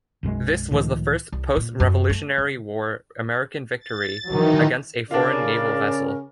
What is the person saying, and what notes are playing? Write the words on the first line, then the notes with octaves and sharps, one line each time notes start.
This was the first post-Revolutionary War American victory against a foreign naval vessel.
B1 F#2 F3 G#3
C#2 A2 D#3 F3
C2
A#2
F#2
A3
C#3
A6
D#3 E3 F#3 D#4
C#3 D4 F4 A#4 D5